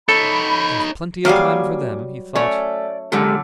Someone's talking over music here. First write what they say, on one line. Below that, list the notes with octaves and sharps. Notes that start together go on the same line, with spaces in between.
"There's plenty of time for them," he thought.
D#4 A4 C#5 B5
F#3 G3 A#3 G#4 F5
A3 C#4 C#5 D5
F#2 A#2 D3 G#3 G4 A4